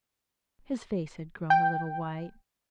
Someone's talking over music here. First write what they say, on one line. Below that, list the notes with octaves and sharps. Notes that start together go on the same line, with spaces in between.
His face had grown a little white.
G5